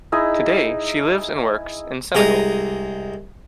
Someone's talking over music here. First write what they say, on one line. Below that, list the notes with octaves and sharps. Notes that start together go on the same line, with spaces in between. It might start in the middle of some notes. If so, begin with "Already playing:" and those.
Today she lives and works in Senegal.
D#4 E4 G#4 D#5
C2 G#3 A#5 D#6